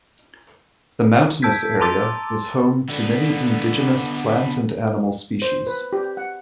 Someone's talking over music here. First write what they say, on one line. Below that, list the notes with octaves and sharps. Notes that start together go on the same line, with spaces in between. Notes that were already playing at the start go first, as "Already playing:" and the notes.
The mountainous area is home to many indigenous plant and animal species.
A5 E6 G6 G#6 B6
A5 A#5 C6 D6 E6 A6
D3 B3
C5
B4
G4
F#5